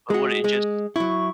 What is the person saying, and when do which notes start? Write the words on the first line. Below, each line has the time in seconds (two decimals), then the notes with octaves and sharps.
but would it just
0.10 G#3 F#4 G#4
0.44 G#3
0.96 F#3 E4 C#6